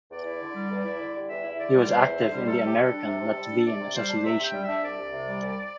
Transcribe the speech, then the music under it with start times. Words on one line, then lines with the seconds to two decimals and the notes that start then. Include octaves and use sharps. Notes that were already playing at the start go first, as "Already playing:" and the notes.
He was active in the American Latvian Association.
0.11 E2 D5
0.25 E4
0.41 D3
0.54 G3
0.70 E2
0.84 E4
0.99 D3
1.14 G3
1.28 E2 E5
1.43 E4
1.58 D3 D5
1.73 G3
1.88 E2 C5
2.02 E4
2.17 D3
2.32 G3
2.46 C3 A4
2.61 C3 G4
2.76 G3 A4
2.91 D4
3.06 C3
3.20 C3
3.36 G3
3.49 D4
3.64 C3 D5
3.79 C3
3.94 G3 C5
4.08 D4
4.23 C3 E5
4.38 C3
4.43 G5
4.52 G3
4.63 D4 E5
4.82 C2 D5
4.97 C2
5.11 C3
5.27 G3
5.41 C2